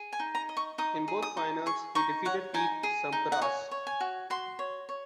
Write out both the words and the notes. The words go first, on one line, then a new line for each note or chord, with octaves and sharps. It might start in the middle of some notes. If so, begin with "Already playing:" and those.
In both finals, he defeated Pete Sampras.
Already playing: G#4
G#5
D#4
A#5
D#5
C#6
D#4 D#6
G#4
D#6
D#4
G#4 C#6
D#4 C#6
C#5 F#5
D#4 G#5
G#4
D#4
F#5
C#5 G#5
C#5
G#5
F#4
F#4 C6
C#5
C#5